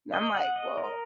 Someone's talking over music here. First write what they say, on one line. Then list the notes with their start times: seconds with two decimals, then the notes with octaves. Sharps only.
and I'm like, "Well,
0.14 D#5
0.35 F#5
0.56 D#5
0.77 A#4